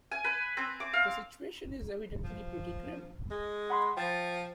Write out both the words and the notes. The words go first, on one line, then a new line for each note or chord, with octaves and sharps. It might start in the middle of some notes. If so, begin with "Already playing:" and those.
The situation is evidently pretty grim.
G#5
B4
C4
D6
F5
F3
G#3
F#5 B5 C6
F3 G5 A6